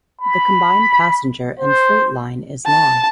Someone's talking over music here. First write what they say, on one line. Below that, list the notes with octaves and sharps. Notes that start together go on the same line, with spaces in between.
The combined passenger and freight line is long.
B5
C5
A5